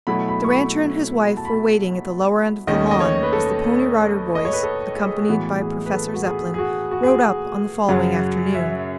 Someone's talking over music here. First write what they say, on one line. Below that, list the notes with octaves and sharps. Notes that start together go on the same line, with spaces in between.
The rancher and his wife were waiting at the lower end of the lawn as the Pony Rider Boys, accompanied by Professor Zepplin, rode up on the following afternoon.
B2 F#3 A3 E4 B5
B5
C#6
B5
A5
B5
A5
D#2 D#3 A3 C#4 D#5
D#5
C#5
B4
A4
D#5
C#5
B4
A4
G#4
G#4
A2 E3 B3 F#4
G#4
B4
A4
F#4
G#4
G#4
F#4
F#4
G#4
F#4
F#2 C#3 F#3
E5